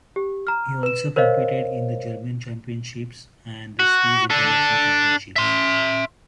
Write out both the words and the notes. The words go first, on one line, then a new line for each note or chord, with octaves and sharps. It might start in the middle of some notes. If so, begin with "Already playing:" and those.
He also competed in the German Championships and the Swiss International Championships.
G4
A#5 F6
B4 E7
A#4 C5 C#5 D#5 F5
F#4
D4 A4
E5 C6